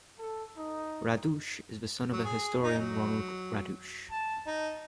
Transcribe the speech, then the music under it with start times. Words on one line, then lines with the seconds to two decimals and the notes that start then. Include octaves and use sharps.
Radosh is the son of historian Ronald Radosh.
0.18 A4
0.55 D#4
2.12 F#3
2.25 G#4
2.63 D#4
2.79 F#3
4.11 A5
4.47 D#4